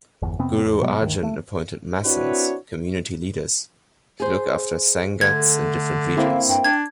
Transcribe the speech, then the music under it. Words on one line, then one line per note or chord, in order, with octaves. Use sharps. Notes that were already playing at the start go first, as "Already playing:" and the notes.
Guru Arjan appointed masands, community leaders, to look after sangats in different regions.
G1 E2
F2 C3 B3 C4
E2
B2 F#3 G#3 B3
D2 D#3
A3
C4 D4 E4 F#4 B4 C#5
G#4 C5
D3 A3 G#6
A#3 C4 E4 F5
G2 G5
D4 G#6